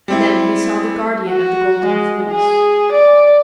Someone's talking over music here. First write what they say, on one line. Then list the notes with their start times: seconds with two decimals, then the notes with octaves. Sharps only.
And then he saw the guardian of the Golden Fleece.
0.08 G3 C4 E4
1.28 F#4
1.85 G#3
2.31 G#4
2.92 D5